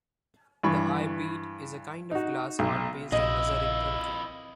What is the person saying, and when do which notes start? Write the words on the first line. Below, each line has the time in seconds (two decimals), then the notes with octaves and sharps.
The eye bead is a kind of glass art based on nazar in Turkey.
0.63 G2 E3 B5 C#6
2.11 D#4 F#4
2.59 B1
3.12 A#1 F2 E4 D#5